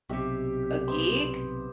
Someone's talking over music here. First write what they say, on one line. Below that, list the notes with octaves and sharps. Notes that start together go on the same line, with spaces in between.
a gig?
B1 C3 G4 E5
B3 C5 E6